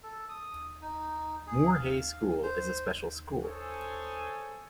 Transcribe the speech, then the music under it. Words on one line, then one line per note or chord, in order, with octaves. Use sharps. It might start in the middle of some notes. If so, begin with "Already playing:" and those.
Moor Hey School is a special school.
A4
D#6
D#4
G#4
F5
C5
G#4 A4 C5 C#5 G#5